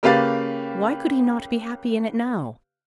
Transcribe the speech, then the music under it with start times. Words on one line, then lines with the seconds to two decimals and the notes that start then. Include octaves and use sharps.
Why could he not be happy in it now?
0.03 C#3 A#3 G4 B4 F5 A6